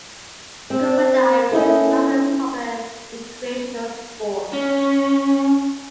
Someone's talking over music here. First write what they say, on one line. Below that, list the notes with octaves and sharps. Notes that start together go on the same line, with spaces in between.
Scuba diving is another popular recreational sport.
C4
C#4 D#4 E4 A4
C#4